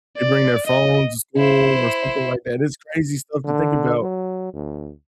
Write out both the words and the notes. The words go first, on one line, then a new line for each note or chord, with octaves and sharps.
they bring their phones to school or something like that, it's crazy stuff to think about
D5
D#5
E4 C5
D3
F#3
D2